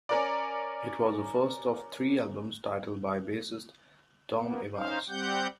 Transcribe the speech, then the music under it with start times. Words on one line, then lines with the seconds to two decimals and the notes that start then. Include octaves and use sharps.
It was the first of three albums titled by bassist Tom Evans.
0.09 C#4 A#4 D5
4.37 A#3 B3
4.76 C#4 D#4 C5 F5
5.09 G3 C4 G4 F#5 G6